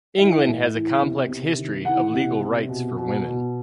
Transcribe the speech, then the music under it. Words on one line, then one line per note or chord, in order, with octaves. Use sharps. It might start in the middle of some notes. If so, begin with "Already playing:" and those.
England has a complex history of legal rights for women.
E3 E5
A2
E3
C3
C3
D#3
E3 F#5
C3
C3
B2
B2
B2